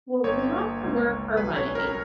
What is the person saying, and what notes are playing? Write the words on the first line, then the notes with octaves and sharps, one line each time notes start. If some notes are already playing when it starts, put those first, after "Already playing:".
Well, you have to work for money,
G1 C#5
A#3
C#2
C#2
B1 B4
C#5
C#4
A#4